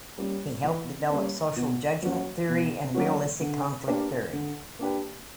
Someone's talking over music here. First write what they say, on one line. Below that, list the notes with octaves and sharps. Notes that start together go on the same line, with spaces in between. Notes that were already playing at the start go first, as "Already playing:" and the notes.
He helped develop social judgment theory and realistic conflict theory.
G3 A#3 C#4
E3
G3 A#3 C#4
B2
F#3 A#3 C#4 F#4
B2
F#3 A#3 C#4 F#4
D3
A#3 D4 G4 B4
D3
A#3 D4 G4 B4